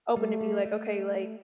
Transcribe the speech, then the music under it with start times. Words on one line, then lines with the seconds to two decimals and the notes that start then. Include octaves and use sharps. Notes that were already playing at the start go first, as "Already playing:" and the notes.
open to be like, "Okay, like,
0.16 G3 A3
0.41 G3
0.65 A3